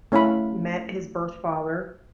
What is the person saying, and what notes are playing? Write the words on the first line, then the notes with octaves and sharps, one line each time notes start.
met his birth father
A3 C#4 E4 F5 B5